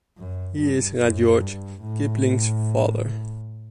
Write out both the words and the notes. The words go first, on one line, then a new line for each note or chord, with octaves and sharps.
He is Rudyard Kipling’s father.
F#2
G2
F#2
G2
A2